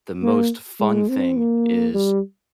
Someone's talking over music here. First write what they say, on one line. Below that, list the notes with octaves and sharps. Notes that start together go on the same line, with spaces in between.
the most fun thing is
A#3
G#3
C4
A#3
G3